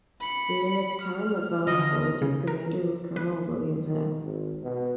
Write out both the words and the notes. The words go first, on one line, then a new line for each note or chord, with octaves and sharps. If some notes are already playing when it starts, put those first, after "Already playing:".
During its time at Valley Forge its commander was Colonel William Heth.
B5 C#7
F6
D3 E3 D#5
C#3
A#4
B4
D#3
G#1
B2